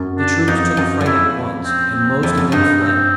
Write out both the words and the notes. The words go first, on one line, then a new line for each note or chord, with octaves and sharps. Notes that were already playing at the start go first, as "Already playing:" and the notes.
The troops took fright at once, and most of them fled.
Already playing: F#2
D4
F2 D#4
F#2
F#2
F2 E4
C4
C4
F2 E4
F#2
G2 D#4
C4